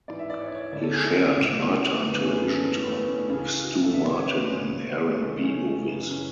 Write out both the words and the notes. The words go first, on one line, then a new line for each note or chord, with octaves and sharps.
He shared night-time television time with Stu Martin in airing B movies.
G#2 E3 D5
E5
D5
C#5
D5
C#5
D2 D3 D5
A4
G#4
E4
C#2 B2
E4
G#3
F#2 D3 A3
B3
C#4
G#4
A4
C#4
G#2 E3 B3
A3
B3
A3
B3
C#4
D4
C#2 C#3 E3 C#4
F#4
E4
A4
C#2 B2 E5
D5
C#5
B4
F#4
C#4
C#2 B2 B3
A3
B3
G#3
A3
C#2 C#3 E3 A3
A3
C#4
C#4
F#2 C#3 E3
C#4